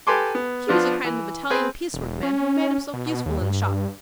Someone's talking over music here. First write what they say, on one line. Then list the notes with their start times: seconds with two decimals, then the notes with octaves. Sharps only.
He was a kind of Italian piece-work man, who made himself useful in the shop.
0.07 G4 A4 B4 G#5 C6 D6
0.35 B3
0.68 F3 B3 D4 F4
1.05 E3
1.50 C4 G#4 B4
1.93 E1
2.23 C#4
2.93 B2
3.26 D#2
3.41 G2